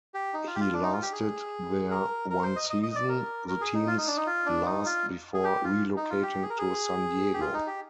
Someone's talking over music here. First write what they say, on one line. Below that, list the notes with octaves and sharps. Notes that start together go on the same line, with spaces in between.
He lasted there one season, the team's last before relocating to San Diego.
G4
D#4
F4
G4
F4
D4
D#4
F4
G4
G#4
A#4
A#4
C5
D#5
D#5
D#5
D5
A#4
A#4
G#4
D#4
F4
D#4
D4
D#4
F4
D4
D#4
F4
G#4
G4
F4
D#4
F4
G4
G#4
A#4
G#4
G4
F4
D#4
G4